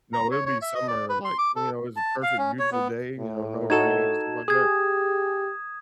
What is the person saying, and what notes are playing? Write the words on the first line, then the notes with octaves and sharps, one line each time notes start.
you know, it'll be summer, like, you know, it's a perfect beautiful day, you know, no rain and stuff like that,
A#5
C#5
C#5
E5
D#5
D5
B4
C6
D6
A4
A5
F5
C#4
C#5
B3
A2
D#4 F#4 A4 G#6 E7
G4 G#4 D#6 G#6